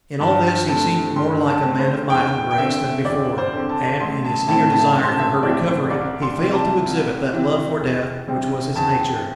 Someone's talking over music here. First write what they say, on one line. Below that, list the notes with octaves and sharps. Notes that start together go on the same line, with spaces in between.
In all this he seemed more like a man of my own race than before, and in his eager desire for her recovery he failed to exhibit that love for death which was his nature.
G2 A5
D3 A3 C4 A5
G2 C6
A5
D3 A3 C4
C5
E2 G5
G5
D3 C4 E5
E2 D5
C5
D3 C4
A5
A1 C6
A5
A2 E3 C4 A5
A5
A1 A5
C6
A5
E5
A2 E3 C4 D5
C5
C2 D5
C6
C3 E3
A5
C2
C3 E3
E2
C3 G3 C4
E2 A5